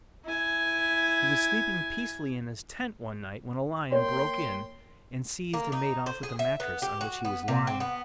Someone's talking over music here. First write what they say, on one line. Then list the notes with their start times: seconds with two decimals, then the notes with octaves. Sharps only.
He was sleeping peacefully in his tent one night, when a lion broke in, and seized and made off with the mattress on which he was lying.
0.25 E4 G#5
3.92 A#3 C#5 G5 C6
5.54 A#3
5.72 D#4
6.06 C5
6.23 G#4
6.39 E5
6.60 B3
6.82 G4
7.01 F#4
7.25 B3
7.48 C3
7.67 C4
7.80 B3